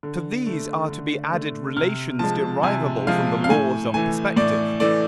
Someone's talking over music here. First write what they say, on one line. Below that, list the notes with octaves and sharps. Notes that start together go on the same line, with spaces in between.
To these are to be added relations derivable from the laws of perspective.
D3
A3
D3
A3
C3 F6
F3 G#3 A5
C3 G#5
F3 G#3 F5
F5
A2 G#5
E3 A3 G#5
A2 D5
E3 A3 D5